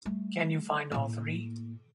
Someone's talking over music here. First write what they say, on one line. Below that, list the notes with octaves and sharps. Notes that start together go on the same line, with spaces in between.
Can you find all three?
G3 A3
A2 A#3